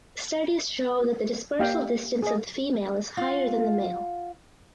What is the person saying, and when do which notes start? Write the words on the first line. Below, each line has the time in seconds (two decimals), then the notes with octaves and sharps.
Studies show that the dispersal distance of the female is higher than the male.
1.59 A#3 G4 F5 G5
2.23 G#4 D#5
3.17 F4 F5 F#5